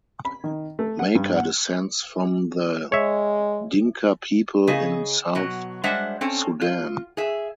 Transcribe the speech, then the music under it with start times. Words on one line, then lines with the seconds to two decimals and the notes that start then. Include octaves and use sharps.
Maker descends from the Dinka people in South Sudan.
0.25 B5
0.44 D#3
0.79 A3
0.99 F#5
1.15 G2
1.37 F#5
2.92 G#3 C#5 E5
4.67 C#3 G#4 D#5
5.35 B2 F#3
5.83 G3 G#3 D4 C5 E5 F#5
6.21 C4 C#4 A4
6.61 F4
7.17 G#4 E5